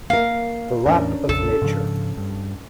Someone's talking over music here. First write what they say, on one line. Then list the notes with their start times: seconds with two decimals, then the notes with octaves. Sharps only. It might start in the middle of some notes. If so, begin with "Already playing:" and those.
The lap of Nature!
0.10 A#3 A#4 F5
0.86 E2 A2 C#4 D4 A#4
1.29 A#1 F2 C#3 A4
1.62 G#2 C#3 F3
2.17 G2